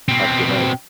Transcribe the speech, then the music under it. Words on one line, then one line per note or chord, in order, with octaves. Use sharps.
Have a good night.
B2 C4